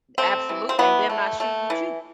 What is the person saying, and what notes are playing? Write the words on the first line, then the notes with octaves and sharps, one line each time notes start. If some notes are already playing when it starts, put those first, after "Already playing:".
Absolute and then I shoot you.
A3 C4
E3
C4
E3 B3
A3
A3
E3